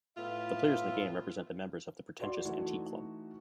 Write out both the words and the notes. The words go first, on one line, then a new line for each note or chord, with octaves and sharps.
The players in the game represent the members of the pretentious Antique Club.
A2 B3 F4 E5
F#4 B4 D5 C6
E3 A3 D#4 F#4